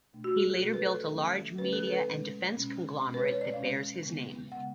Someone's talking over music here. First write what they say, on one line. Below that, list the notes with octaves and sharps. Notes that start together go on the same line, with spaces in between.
He later built a large media and defense conglomerate that bears his name.
B2 A3 D4
F#4
G#4
A4
B2 A3 D4 A4
B4
A4
D3 F#3 A3 C#4
D3 F#3 A3 C#4 B4
A4
B4
B2 G#3 C#4
B2 G#3 C#4
B2 G#3 C#4
B4
C#5
D5
B2 G#3 C#4 F5
C#3 G#3 B3
C#3 G#3 B3 F#5